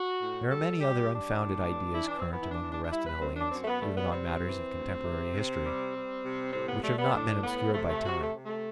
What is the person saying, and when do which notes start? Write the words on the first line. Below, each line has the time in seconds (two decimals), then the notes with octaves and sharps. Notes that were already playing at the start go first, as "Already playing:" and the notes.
There are many other unfounded ideas current among the rest of the Hellenes, even on matters of contemporary history, which have not been obscured by time.
Already playing: F#4
0.21 A2
0.50 G3 A4
0.80 G3 G4
1.10 G3 D4
1.41 A2
1.71 G2
1.94 E4
2.00 E3
2.07 D4
2.19 C4
2.31 E3 B3
2.42 E4
2.51 D4
2.61 E3
2.72 D4
2.84 D4
2.92 G3 E4
3.06 B4
3.21 F#2 C4
3.36 D4
3.51 F#2 C4
3.61 A3
3.67 B3
3.82 G3 A3
3.97 B3
4.12 C3 C4
4.42 E3
4.73 D2
5.03 C3
5.33 C3
5.62 G3
5.93 G3
6.24 C3
6.53 A2 C4
6.68 B3
6.83 G3 A3
6.99 B3
7.14 A2 D4
7.43 A2 B3
7.74 C3 A3
7.89 A3
8.04 C3 F#4
8.19 A3
8.35 C3
8.46 A3